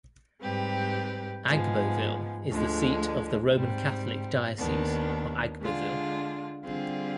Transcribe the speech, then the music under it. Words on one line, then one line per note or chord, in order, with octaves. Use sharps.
Agboville is the seat of the Roman Catholic Diocese of Agboville.
G#2 G3 C4 G4 B4
G#2 F3 G#3 B3
D2 D3 F3 G#3
G#2 G3 C4
D#2 D#3 B3 D4
D3 G#3 D4 F4
D3 G3 C4 F4 G#4